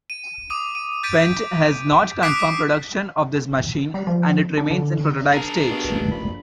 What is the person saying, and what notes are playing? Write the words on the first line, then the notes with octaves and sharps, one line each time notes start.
Fendt has not confirmed production of this machine, and it remains in prototype stage.
D#7
D6 D#6 D#7
D#7
D#6 G6 A6 B6 D7 D#7
D6 D#6 F#6 B6 C7 D7
G3
F3
D4
D3
D4 G#4 A#4
G2 B2
A#1 B5